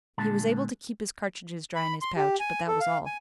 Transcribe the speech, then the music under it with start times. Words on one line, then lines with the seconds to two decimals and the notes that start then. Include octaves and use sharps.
He was able to keep his cartridges dry in his pouch, but that was all.
0.18 A#2 D3 G#3 A5
1.75 B5
2.02 C6
2.17 G4
2.40 G#5
2.68 A4
2.80 F5
3.06 G#5